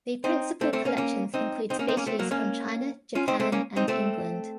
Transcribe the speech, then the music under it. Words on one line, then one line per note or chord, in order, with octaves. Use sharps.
The principal collections include species from China, Japan, and England.
C4 D#4
A3 C4
A3 C4
A#3 C#4
A#3 C#4
C4 D#4
C4 D#4
A#3 C#4
C4 D#4
A#3 C#4
A3 C4
F#3 A#3
A#3 C#4
C#4 F4
C4 D#4
A3 C4
A#3 C#4
C4 D#4
A3 C4